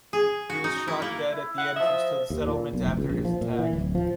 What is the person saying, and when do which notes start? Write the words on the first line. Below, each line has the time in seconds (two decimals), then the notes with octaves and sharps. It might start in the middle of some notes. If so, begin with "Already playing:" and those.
He was shot dead at the entrance to the settlement after his attack.
0.13 G#4
0.50 F#4
0.64 D#4
0.88 E4
1.02 A#3
1.32 E4
1.58 F#5
1.76 F3 D#5 E5
2.30 D#2
2.47 A#2
2.73 B1
2.86 F1
2.97 C#2
3.09 A#1
3.25 F3
3.41 A#2
3.59 E3
3.73 D1
3.95 F3